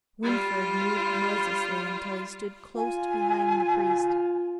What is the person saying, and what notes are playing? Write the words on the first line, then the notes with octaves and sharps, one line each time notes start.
Winfried moved noiselessly until he stood close behind the priest.
G3 F4
F4 G#5